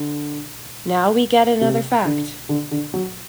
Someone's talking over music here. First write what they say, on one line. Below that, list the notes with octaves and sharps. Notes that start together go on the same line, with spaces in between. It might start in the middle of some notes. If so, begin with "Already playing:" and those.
Now we get another fact.
Already playing: D3
C3
D3
D3
D3
F#3